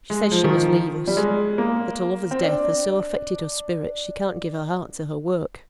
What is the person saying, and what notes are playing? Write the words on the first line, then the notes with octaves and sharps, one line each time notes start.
She says she must leave us; that her lover's death has so affected her spirits she can't give her heart to her work.'
G#3
F3
D#3
F3
G3
G#3
A#3
C4
D4